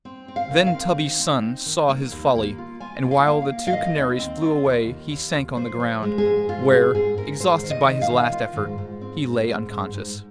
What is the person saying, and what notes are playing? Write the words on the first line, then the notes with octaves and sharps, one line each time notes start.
Then Tubby's son saw his folly, and while the two canaries flew away he sank on the ground, where, exhausted by his last effort, he lay unconscious.
C4
C4
F5
D#3
F5
C4
D#4
C4
D#4
D#3
A#3
D#2
A#3
F4
F4 G#5
A#3
F5
A#3
F5
A#3
F5
D#3 D#5
D#2
C4
F4
D#2
D#3
D#2
F4
F3 C5
F3
G#3
G#4
G#2
G#2 F4
C4 G#4
G#2 G#4
G#2 A#4
G#2 C5
D#3
D#5
D#3
F5
D#3
F4
G#2
G#2
C4
G#2
G#2
G#2
G#2